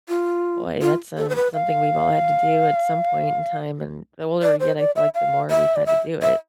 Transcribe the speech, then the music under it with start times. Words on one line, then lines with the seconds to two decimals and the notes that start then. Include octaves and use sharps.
Boy, that's, um, something we've all had to do at some point in time, and the older we get, I feel like the more we've had to do it,
0.09 F4
0.82 F4
1.18 A4
1.30 C5
1.36 B4
1.54 F5
4.43 D5
4.60 C5
4.79 D5
4.96 E5
5.15 F5
5.50 E5
5.76 D5
5.86 E5
6.22 E5